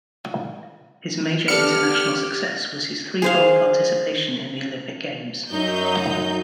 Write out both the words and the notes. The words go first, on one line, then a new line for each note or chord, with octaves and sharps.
His major international success was his threefold participation in the Olympic Games.
B3 D4 G4 A4 F6 C#7
G#4 C5 F5
F#2 F#3 D#4 G6